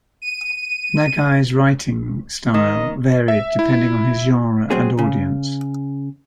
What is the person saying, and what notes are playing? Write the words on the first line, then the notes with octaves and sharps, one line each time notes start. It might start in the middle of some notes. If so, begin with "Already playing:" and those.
Nagai's writing style varied depending on his genre and audience.
D#7
D#3 D#5
E5
E4
F#3 C4 G#4
C#3